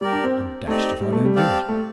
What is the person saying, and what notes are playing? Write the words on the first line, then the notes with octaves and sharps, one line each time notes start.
'I'm dashed if I don't do it.
G3 G4 A#4 D5
D4
C4
A3 C4 D#4 G4 D5
G3
A3
G3
C4 G4 D5 F5 A5
A3